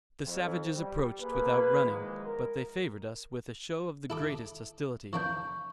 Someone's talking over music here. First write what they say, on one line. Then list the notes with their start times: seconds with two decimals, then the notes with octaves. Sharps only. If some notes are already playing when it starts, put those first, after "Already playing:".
The savages approached without running, but they favored us with a show of the greatest hostility.
0.25 F2
0.75 G3
1.21 A#3 G#4 B4
1.84 E2 D#3 F3 G#3
2.25 A#4
4.10 E4 A4 D6
5.13 E3 A#3 D4 C#6 G6